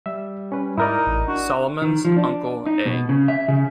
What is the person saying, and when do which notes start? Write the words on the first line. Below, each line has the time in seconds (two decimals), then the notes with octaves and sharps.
Solomon's uncle, A.
0.06 G3 E5
0.52 C#4 B4
0.78 G#2 D#4 E4 A#4 D5
1.07 A1
1.28 D4 F#4
1.82 D#3
2.05 F3
2.17 D4
2.66 D#4
2.86 B2
3.09 C#3
3.28 E5
3.48 C#3